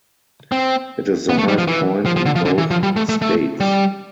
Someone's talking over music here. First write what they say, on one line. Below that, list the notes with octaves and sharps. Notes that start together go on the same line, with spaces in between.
It is the highest point in both states.
C4
B3
A3
G3
F3
E3
F3
F3
D3
F3
D3
E3
F3
G3
A3
A3
A3
G3